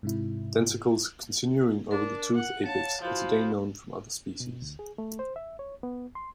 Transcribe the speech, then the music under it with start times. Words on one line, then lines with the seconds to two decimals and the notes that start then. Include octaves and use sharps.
Denticles continuing over the tooth apex are today known from other species.
0.03 G#2 C3 E4
1.91 D4 A#4
2.34 F#5
2.66 C#5 F5 A5
3.02 F3 E4 F#4 B5
4.40 B2
4.62 D2
4.79 G#4
4.98 A3
5.19 C5
5.36 E5
5.59 C#5
5.83 B3
6.15 C6